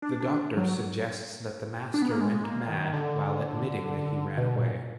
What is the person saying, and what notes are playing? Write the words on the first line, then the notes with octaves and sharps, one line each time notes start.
The Doctor suggests that the Master went mad, while admitting that he ran away.
D4
D4
F#3
D4
B3
A#3
G#3
A#3
D#3
D3
B2
A#2